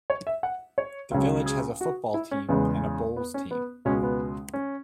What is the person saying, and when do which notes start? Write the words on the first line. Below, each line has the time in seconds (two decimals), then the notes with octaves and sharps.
The village has a football team and a bowls team.
0.10 C#5
0.27 E5
0.43 F#5
0.78 C#5
1.11 C#2 C#3 F#3
1.46 G#4
1.81 F#4
2.14 E4
2.31 C#4
2.49 E2 C#3 G#3 B3
3.16 B3
3.34 C#4
3.51 B3
3.85 C#2 B2 G#3 C#4
4.03 B3
4.53 C#4